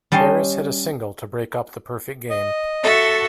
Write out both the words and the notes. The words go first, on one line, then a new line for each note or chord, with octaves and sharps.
Harris hit a single to break up the perfect game.
G3 C#4 D#5 A5 C6
D#5
F#4 A4 E5